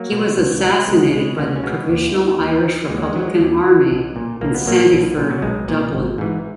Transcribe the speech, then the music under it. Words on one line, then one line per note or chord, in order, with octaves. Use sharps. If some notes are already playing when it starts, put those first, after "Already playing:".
He was assassinated by the Provisional Irish Republican Army in Sandyford, Dublin.
Already playing: F#3 A#3
B2
C#2
B2
C#2 G#3
B2 G#3
C#2 A#3 C#4
C#4
B2 G#3 B3
D#2
D#3
D#2
D#3
D#2 G#3
F#3
G#3
D#3 F#3
G#3
D#2
D#3
B1
A#2
B1 A#3
B3
A#2 F#3 A#3
B1
A#2
F#3
B1 G#3
A#2
G#1
G#2 E3